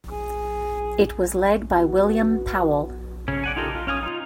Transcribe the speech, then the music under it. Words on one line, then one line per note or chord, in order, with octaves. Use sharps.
It was led by William Powell.
G#4
B3 F#4
C#3 C#4
D5 F#5 G#5
D#4 F4 G4 A4 A#4
F4
C#4 F5 G#5 D#6
D#4 F4